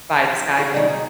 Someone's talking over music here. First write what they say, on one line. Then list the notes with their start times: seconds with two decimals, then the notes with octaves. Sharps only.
by this guy named,
0.22 F3
0.58 F#4 G#4
0.74 D#3 F#3 G3
0.89 D#4 G#4